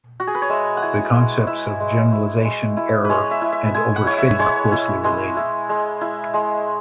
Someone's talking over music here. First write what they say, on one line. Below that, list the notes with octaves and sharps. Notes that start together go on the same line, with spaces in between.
The concepts of generalization error and overfitting are closely related.
F#4
G#4
B4
C#5
G#3 E5
F#5
E4 G#5
G#3
E4 E5
G#3
E4
G#3
E4
G#3 B4 C#5
E5
E4
E5
G#3 G#5
F#5
E4 C#5
E5
G#3 C#5
E4
G#3
E4
G#3
E4
G#3